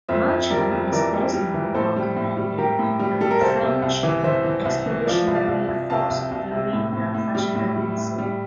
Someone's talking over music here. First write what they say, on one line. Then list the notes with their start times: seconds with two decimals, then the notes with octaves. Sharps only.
Marchand is best known for commanding the French expeditionary force during the Fashoda Incident.
0.09 F2 C5 E5
0.29 F2
0.40 E5
0.50 G3 A#4 D5
0.71 F2
0.92 E3 A#4 D5
1.13 G3
1.33 G3
1.54 E3
1.74 A2 A4 C5
1.96 G3
2.17 A2
2.37 G3
2.58 G3 G4 A#4
2.79 A2
2.99 G3
3.21 G3 A4
3.31 A#4
3.41 C2 A4 C5
3.62 C3
3.82 C2
4.03 E3
4.23 E3 C5 E5
4.44 E3
4.65 C2
4.86 E3
5.07 F3 D5 F5
5.27 C2
5.35 D5 F5
5.48 C2
5.68 C2
5.90 C3 F5 A5
6.10 C2
6.31 C2
6.52 C3
6.73 A2
6.93 A2
7.14 A2
7.35 G3
7.56 A2
7.76 G3
7.97 A2
8.18 G3